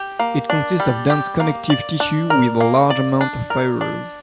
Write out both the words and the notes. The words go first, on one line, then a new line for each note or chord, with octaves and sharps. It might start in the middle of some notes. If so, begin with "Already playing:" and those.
It consists of dense connective tissue with a large amount of fibers.
Already playing: G4
A#3
D4
G3
G4
A#3
D5
D4
A#4
A#3
D5
D4
A#4
D4